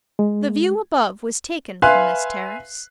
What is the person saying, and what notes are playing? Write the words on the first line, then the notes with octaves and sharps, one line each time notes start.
The view above was taken from this terrace.
G#3
B4 E5 F5 G#5 C6 F#6